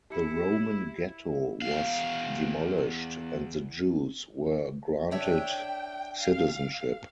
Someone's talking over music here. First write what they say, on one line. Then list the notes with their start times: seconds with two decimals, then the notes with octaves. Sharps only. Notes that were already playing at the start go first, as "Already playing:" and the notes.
The Roman Ghetto was demolished and the Jews were granted citizenship.
0.10 E4 G4 C#7
1.62 E2 F5
5.11 D4 C#5 E5 G5
6.20 F5